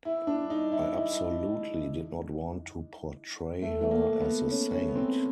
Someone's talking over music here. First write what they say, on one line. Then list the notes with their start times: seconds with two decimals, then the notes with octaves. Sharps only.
I absolutely did not want to portray her as a saint.
0.05 E4
0.27 D4
0.50 D#4
0.72 E4
0.94 E4
3.62 A3
3.81 A3
3.91 A#3
4.21 B3
4.51 C#4
4.74 C#4
4.88 B3
4.96 C4